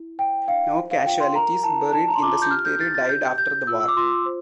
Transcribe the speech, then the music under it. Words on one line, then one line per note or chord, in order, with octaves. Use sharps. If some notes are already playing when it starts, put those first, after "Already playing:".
No casualties buried in the cemetery died after the war.
Already playing: E4
C5 G5
D4 F5
C5
F5
F4 G5
C6
A#4 A#5
E4 A5
D5 A5
A#5
C6
F4 D6
G6
G4 F6
G6
G4 A6
A6
G4 G6
G4 G6
F4 E6
E6
D6
F4 C6
C5